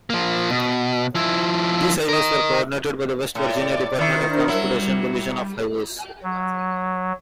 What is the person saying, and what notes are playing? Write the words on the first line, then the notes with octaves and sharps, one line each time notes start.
These highways were coordinated by the West Virginia Department of Transportation, Division of Highways.
F3 A#3
B2
F3 E4
A#4 D#5
A2 D5 D6
D#3 D4 E4 A#4 C5
F#3 G3 E4
F#3